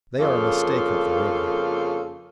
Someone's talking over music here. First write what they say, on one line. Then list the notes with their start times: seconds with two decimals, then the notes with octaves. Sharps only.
They are a mistake up the river.
0.19 F2 C#3 A#3 F4 A4